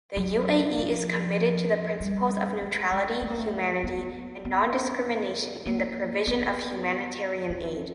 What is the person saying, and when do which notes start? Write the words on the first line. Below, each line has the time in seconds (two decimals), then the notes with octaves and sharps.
The UAE is committed to the principles of neutrality, humanity and non-discrimination in the provision of humanitarian aid.
0.17 F#3
0.78 F3
2.00 G3
2.61 G#3
2.92 G#3
3.22 A3
3.30 A#3
3.39 A3
3.83 B3
4.45 B3
5.66 A#3
6.27 B3
7.50 C4